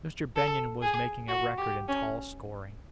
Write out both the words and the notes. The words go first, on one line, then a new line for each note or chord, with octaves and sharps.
Mr. Benyon was making a record in tall scoring.
A4
G#4
F#4
G4
C#4